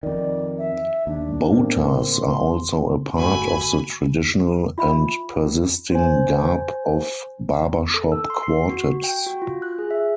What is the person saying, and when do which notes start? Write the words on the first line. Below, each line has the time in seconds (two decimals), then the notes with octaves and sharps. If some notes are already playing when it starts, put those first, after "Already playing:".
Boaters are also a part of the traditional and persisting garb of barbershop quartets.
0.03 F2 D#3 D5
0.58 E5
1.07 D#2 D4
1.51 A2 A#3 C4
1.86 C6
3.17 G1 A3 F#4 G#5 B5
4.78 F4 E5 B5
5.92 C5 G#5
7.94 A4
8.12 E6
8.30 C6
8.43 C7
8.70 F#4
9.04 G5
9.27 F#4
9.42 F4
9.62 F#6
9.79 G#4
9.91 E5